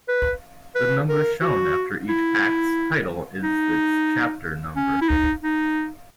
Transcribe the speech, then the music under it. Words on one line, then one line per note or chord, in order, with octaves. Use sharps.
The number shown after each Act's title is its chapter number.
B4
B4
A#4
F#4
E4
D#4
C#4
E4
D#4
D#4